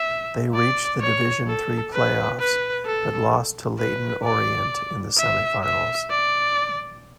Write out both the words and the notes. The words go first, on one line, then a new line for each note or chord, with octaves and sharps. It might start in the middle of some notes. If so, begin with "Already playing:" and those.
They reached the Division Three playoffs, but lost to Leyton Orient in the semi-finals.
Already playing: E5
D5
C#5
A4
B4
B4
A4
B4
D5
E5
E5
D5